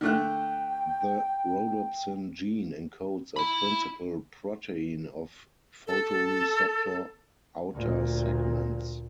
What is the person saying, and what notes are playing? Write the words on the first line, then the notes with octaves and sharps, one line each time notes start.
The rhodopsin gene encodes a principal protein of photoreceptor outer segments.
D3 A3 G5 F#6
E4 B5
A4
D2 A#2